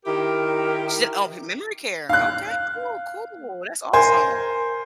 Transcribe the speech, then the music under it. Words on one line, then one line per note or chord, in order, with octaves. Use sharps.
She's in oh, me memory care, okay, cool, cool, that's awesome.
D#3 E4 G4 A#4
F5 F#6
A#4 C5 G#5